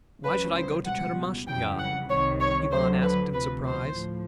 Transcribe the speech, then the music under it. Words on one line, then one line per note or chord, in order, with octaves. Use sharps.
"Why should I go to Tchermashnya?" Ivan asked in surprise.
C#2 C#3 F#3 B4
C5
C#2 B2 G3 F#5
F2 C#3 E3 G3 G5
F#5
C2 C3 D#3 C#5
C#5
D2 D3 F#3 C5
B4
D2 C3 F3 B4
C5
A2 F3